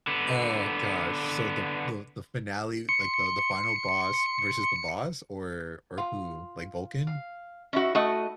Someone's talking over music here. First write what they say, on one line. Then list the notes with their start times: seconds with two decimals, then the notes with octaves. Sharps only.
Uh, gosh, so the the the finale like, the the final boss versus the boss or or who? Like, Vulcan?
0.07 D3 B3
2.89 C6 C#7
5.98 F4
7.07 F5
7.73 C#4 D#4 E4 F#4 E5
7.95 A3 F#4 D#5